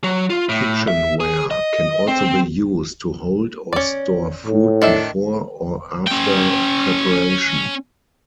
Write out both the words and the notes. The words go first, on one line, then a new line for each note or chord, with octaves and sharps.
Kitchenware can also be used to hold or store food before or after preparation.
F#3
F4
A2
E5
G#4
D#5
C4
C#4 D5
A2
D#3 D4 E5
C#4 G5